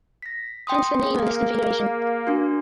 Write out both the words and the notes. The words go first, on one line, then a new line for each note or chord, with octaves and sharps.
Hence the name of this configuration.
A#6 B6
G5 C6 D#6
A#3 G#4
D4 F#4